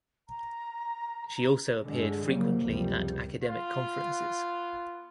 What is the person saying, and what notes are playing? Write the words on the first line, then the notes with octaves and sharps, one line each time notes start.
She also appeared frequently at academic conferences.
A#5
G2 D3 G#3
F2 C#3 F#3 G3 A#3
C#2 F#2 C3 F3 G3
B3 F4